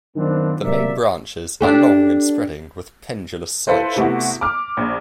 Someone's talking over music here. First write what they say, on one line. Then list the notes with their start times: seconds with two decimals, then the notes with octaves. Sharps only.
The main branches are long and spreading with pendulous side shoots.
0.16 F#2 D#3 F3 B3 C4 D4
0.62 C3 F#3 A#3 A#4 D5 E5
1.61 D4 G4 A4
3.67 E4 F4 A4 B4 C5
3.96 C3 A3 B3 E4 F#4
4.41 D6 F6
4.77 A#1